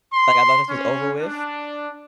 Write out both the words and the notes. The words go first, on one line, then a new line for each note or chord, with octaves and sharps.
like, "I thought this was over with?"
C6
C#4
D4